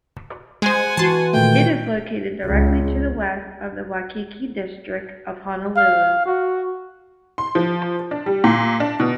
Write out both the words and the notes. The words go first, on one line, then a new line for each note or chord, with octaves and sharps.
It is located directly to the west of the Waikiki district of Honolulu.
G#3 C5 F#5 G#5
E3 F#4 A5 C6
A#2 D#3 A3 G5
C#2
F5
F#4
C6
F3
D4
G3
A#2
D4
B2